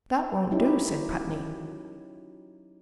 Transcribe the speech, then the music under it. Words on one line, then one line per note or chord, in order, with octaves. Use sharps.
"That won't do," said Putney.
F#3 C#4 D#4 E4 G4